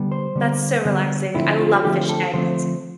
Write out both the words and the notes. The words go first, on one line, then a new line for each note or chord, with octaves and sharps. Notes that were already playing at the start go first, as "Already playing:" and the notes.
That's so relaxing, I love fish tanks.
Already playing: D3 G3 B3
C5
D3 G3 B3
D3 G3 B3
D3 F3 A3 C4 E4
F4
D3 F3 A3 C4 G4
A4
D3 F3 A3 C4 C5